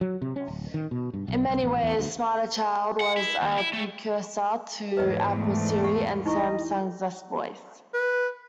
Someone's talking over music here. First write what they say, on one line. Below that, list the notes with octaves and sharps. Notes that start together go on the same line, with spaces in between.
In many ways, SmarterChild was a precursor to Apple's Siri and Samsung's S Voice.
F#3
C3
C#4
D1
D#3
B2
G2
B1
C2
A1
E2
D2
F#5
E4
D#2
E4
A3
E2 G#2 B4 C#5 D#5 G5
A3
F#4 F#5 C#6
D#4 E4 D#5 C#6
B4